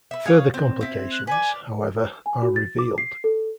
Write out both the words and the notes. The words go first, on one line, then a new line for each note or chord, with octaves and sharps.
Further complications, however, are revealed.
B4 E5
G#4 C#5 F5
C4
C4 E4
F#6
B4 C5 D5 G#5
G#5
F#4
A6
D6
C7
A4